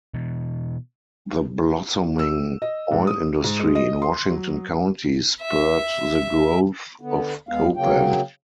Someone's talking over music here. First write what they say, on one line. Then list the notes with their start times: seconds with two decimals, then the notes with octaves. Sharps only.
The blossoming oil industry in Washington County spurred the growth of Copan.
0.14 B2 E3
2.19 E6
2.62 D#5
2.92 G#2
3.07 D#6
3.44 G#2
3.60 G#3
3.75 D#5
4.02 C6
4.31 F#3
5.41 E5
7.01 D3 B3
7.49 D#2 G#3 B3 F5
7.77 C#3 F#3 A#3 G5